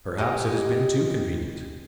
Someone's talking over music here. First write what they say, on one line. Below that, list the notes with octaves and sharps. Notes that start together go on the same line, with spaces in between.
Perhaps it has been too convenient.
G#3 G4